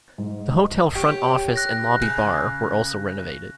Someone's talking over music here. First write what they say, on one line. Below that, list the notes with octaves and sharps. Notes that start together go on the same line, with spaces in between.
The hotel front office and lobby bar were also renovated.
G#2
G4 C#5
F#6 A#6
C#3